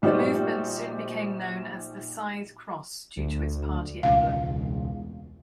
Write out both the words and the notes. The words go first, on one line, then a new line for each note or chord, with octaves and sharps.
The movement soon became known as the Scythe Cross due to its party emblem.
A#1 G3 D#4 F#4 C5 D5
D2
E1 C#2 F5